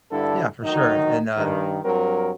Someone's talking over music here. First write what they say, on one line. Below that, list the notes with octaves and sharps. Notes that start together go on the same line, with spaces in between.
yeah, for sure and, uh,
G2 D3 D4 E4 A4
D2 D#3 F#3 D#4
G2 D#3
G2 F#3 C4 A#4